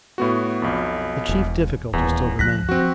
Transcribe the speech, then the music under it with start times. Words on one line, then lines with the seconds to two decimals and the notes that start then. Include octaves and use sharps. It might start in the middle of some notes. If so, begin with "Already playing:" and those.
The chief difficulty still remained.
0.18 A2 B3 F#4
0.62 B1 F2
1.29 E1
1.93 D#1 E2
2.39 C#2 F3 F#6 A#6 B6
2.69 F3 C4 F#4